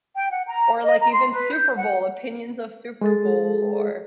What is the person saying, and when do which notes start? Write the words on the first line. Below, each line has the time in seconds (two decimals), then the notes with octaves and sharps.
or, like, even Super Bowl, opinions of Super Bowl, or,
0.15 G5
0.30 F#5
0.46 A#5
0.82 D#5
1.00 A#5
1.11 C6
1.31 B4
1.52 G6
1.76 F#5
3.01 G#3 G#4 A4